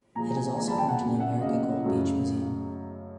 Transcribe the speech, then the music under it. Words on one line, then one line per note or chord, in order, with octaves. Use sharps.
It is also home to the America Gold Beach Museum.
A#2 F3 G#3 G#5 A#5
G#5 A#5
A#2 F3 G#3 G#5 A#5
A5 B5
G5 A5
F#5 G#5
E2 C#3 F#3 A#3
E5 F#5
E2 C#3 F#3 A#3 D#5 F5
F#2 C#3 F#3 A3